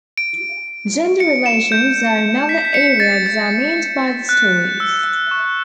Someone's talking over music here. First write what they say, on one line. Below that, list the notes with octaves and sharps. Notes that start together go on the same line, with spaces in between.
Gender relations are another area examined by the stories.
D7
C#7
E7
G6
B6
B6
C#7
A6
A6
F#6
E6
C#6